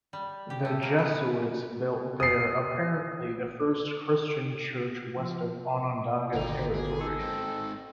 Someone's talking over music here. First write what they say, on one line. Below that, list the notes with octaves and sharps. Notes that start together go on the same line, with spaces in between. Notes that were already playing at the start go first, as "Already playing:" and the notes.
The Jesuits built there apparently the first Christian church west of Onondaga territory.
G3
G4
A3
A#3
B3
D#6 C7
F3
G#1 D2 D3 D#4 G4 G6 F7
F#3 A#3 B3 G#4
D#4 A4
G#2 C4 A#6